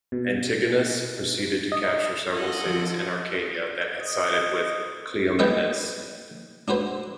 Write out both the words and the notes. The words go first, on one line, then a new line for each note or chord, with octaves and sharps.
Antigonus proceeded to capture several cities in Arcadia that had sided with Cleomenes.
B2
D#5
F4 A4 D#5 F#5
F3
D#5
G3 B3 B4 D#5 G5
D4 F#4 B4 C5